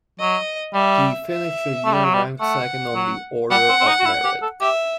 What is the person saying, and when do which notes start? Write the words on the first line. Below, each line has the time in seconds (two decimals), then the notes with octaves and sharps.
He finished the year ranked second on the Order of Merit.
0.19 F#3 D#5
0.74 G3 E5
1.30 E5
1.85 A3
1.94 G3
2.04 F#3
2.14 G3
2.40 A3 F#5
2.95 F#3
3.50 G3 F#5
3.69 C4
3.80 C4
3.87 D#4
4.00 F#4
4.05 E4
4.24 G4
4.42 A4
4.61 G4 E5